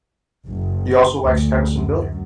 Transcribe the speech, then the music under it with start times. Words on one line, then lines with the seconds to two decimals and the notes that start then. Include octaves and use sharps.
He also likes tennis and billiard.
0.46 F#1
1.26 D2
1.72 F#2